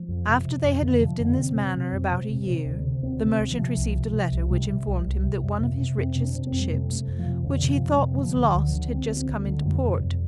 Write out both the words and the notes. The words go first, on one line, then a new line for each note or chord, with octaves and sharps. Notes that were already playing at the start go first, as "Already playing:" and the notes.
After they had lived in this manner about a year, the merchant received a letter, which informed him that one of his richest ships, which he thought was lost, had just come into port.
Already playing: F3
F2
C3
C3
F2
F2 D3
C3 F3
F2 D3
C3 C4
C3
C3
F2
C3
C3
C3
D2
C3
D2 C4
C3
C4
D2
F3
C3
C2
C3
C3
C2
C3 G3
C3
C2
C2
C3
F2
C3
C3
F2 C4
C3
D4
C3
C4
F2
G3
C3 A3
C3
A3
F2
F3
C3
F2 D3
C3
F3
F2
G3
C3
D3 F3
D2
D3
D2
F3
D3
D3 C4
D2
C4
D2
A3
D3
F2 G3
C3
F2